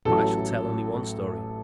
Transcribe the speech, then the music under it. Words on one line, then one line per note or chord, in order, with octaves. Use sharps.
But I shall tell only one story.
A1 A2 F#3 A4